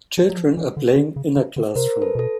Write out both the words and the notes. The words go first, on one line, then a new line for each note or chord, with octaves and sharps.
Children are playing in a classroom.
F3
F#3
F3
E3
D3
D3
C#3
D3
D3
C3 A#4 C5
A4 B4
B2 A4